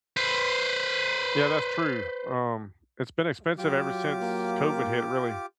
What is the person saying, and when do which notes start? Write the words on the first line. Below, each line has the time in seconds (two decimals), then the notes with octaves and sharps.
Yeah, that's true. Um, it's been expensive ever since COVID hit, really.
0.17 B4 C5
3.58 F#3 F4 G4 D6
4.21 A#3